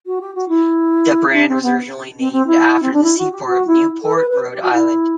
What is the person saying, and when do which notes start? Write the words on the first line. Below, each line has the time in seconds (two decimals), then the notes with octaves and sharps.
The brand was originally named after the seaport of Newport, Rhode Island.
0.06 F#4
0.21 G4
0.34 F#4
0.48 E4
1.33 D4
1.48 C4
1.62 B3
2.18 C4
2.32 C4
2.47 E4
2.82 C4
2.93 D4
3.03 E4
3.18 F#4
3.32 G4
3.46 F#4
3.67 E4
4.02 A4
4.15 B4
4.30 B4
4.52 G4
4.62 F#4
4.72 E4